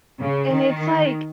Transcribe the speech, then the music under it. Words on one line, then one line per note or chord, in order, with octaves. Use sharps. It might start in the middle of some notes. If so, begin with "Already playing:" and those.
and it's like,
C#3
D#3